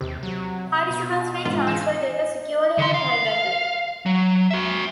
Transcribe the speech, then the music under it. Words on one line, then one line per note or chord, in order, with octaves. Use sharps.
Participants may transfer data securely and privately.
D#2 C3
F#3
B2
G#2 F4
E3 G#5 E7
D3 C6
F5
F#3
F#4 E5